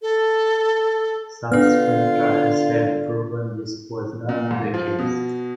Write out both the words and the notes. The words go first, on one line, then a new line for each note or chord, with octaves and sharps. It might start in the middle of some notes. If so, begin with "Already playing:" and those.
Subsequent trials have proven this was not the case.
A4
D3 B3 D4 F4 F6
A#2
G#2
F3
B2